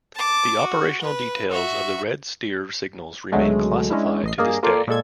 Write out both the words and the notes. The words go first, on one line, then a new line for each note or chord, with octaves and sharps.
The operational details of the Red Steer signals remain classified to this day.
A5 D6
F#4
B4
F#4 E5
C#2 B2 D3 F#3 G#3 A3
G#3 C#4 D4 E4
A1 D#5 C7
G2 A#3 G#4 D5 D#5 F5
A#3 F4 A4 D5 F5 G5
A#2 G#3 A4 G#6